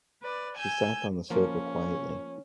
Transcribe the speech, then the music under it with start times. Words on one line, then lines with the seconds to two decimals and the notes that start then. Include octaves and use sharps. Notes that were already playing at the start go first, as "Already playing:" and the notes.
She sat on the sofa quietly.
0.22 B4 D5
0.56 G#5 E6 G6
1.30 F3 A#3 C#4 F4